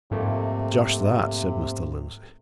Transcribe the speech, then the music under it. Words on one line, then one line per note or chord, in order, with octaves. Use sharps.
"Just that," said Mr. Lindsey.
F2 G#2 C3 A3 A#3